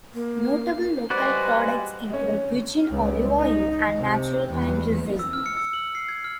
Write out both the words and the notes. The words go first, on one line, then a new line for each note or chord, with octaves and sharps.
Notable local products include virgin olive oil and natural pine resin.
A#3
G3 G#3 F#4 B4 C5 D5
C#4
C#2
D#4
C3
E2
E6
F6
C#7
E6
F#7
C7
G#6
F6